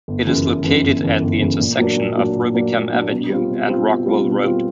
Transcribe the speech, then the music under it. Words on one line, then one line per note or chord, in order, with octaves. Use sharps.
It is located at the intersection of Rubicam Avenue and Rockwell Road.
G1
F#2 C#3 E3
G1
F#2 C#3 E3
G1
F#2 C#3 E3
G1
F#2 C#3 E3
A#2
F#3 A#3 D4
A#2
F#3 A#3 D4
A#2
F#3 A#3 D4
A#2
F#3 A#3 D4
B2
G3 C4 F4
B2
G3 C4 F4
B2
G3 C4 F4
B2
G3 C4 F4